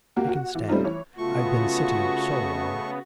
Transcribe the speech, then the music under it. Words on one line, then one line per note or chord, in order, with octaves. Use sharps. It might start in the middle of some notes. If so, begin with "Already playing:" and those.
I can stand, I've been sitting so long.'
A#3 F#4 G4 A#4
F#4
E3
G3 A3 C4 C#4 D#4 F4
E3 C#5
C#3 A3 B3 F4 F#4 C#6